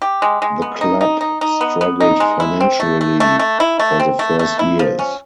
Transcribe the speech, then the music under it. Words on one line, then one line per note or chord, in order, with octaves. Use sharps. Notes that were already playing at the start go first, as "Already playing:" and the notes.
The club struggled financially for the first years.
G4
G#3
G#3
B3
D#4
D#4
D#4
D#4
B3
B3
D#4
G#3
E4
C4
A3
A3
A3
A3
E4
A3
C4
A3
A3
E4
F3
C#4